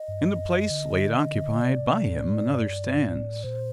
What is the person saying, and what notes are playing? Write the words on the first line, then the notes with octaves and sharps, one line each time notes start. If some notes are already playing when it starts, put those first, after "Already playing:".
In the place late occupied by him another stands.
Already playing: D#5
G2
F#2
D3
C3 D5
A2
G2
A2
A#2 C5